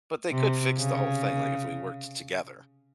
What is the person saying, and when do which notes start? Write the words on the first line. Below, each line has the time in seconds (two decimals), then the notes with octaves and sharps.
But, they could fix the whole thing, like if we worked together,
0.31 C3
0.78 C#3